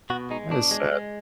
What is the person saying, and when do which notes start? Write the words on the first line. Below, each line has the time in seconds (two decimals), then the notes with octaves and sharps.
That is sad.
0.10 B2 F#4
0.30 G#3 D#4
0.50 B2 D4
0.71 G#3
0.92 G#3